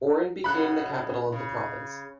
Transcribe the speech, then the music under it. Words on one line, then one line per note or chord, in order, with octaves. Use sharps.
Oran became the capital of the province.
F#2 C#3 A4 B5 F#6
C#3